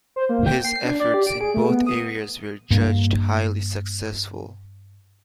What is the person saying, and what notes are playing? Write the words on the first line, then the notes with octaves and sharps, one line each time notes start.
His efforts in both areas were judged highly successful.
C5
A#3
G5
C7
D4
D5
G4
D7
G#4
A3
B3
D#6
G2 A#3